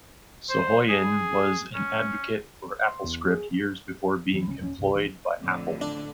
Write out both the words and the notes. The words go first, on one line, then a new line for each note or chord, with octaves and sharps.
Soghoian was an advocate for AppleScript years before being employed by Apple.
C5
G#4
C#4
C6
E2
G#4
F1 E3 C4
C2 C#4
D#1 G2 C#4
C#2 G2 C3
A#1 E3
F2 A2 D3
D4